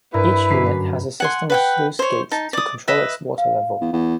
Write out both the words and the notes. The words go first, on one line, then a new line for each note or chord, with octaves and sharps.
Each unit has a system of sluice gates to control its water level.
G2 E4 A#4 B4 A#5
F#2 D3 F#3 A#5 B6 C7
F#5 G#5 C6
B4 F#5 G5
C5 C#5
D#4 A5
D5 D#6
B4 D#5 E5
F5
E2
E2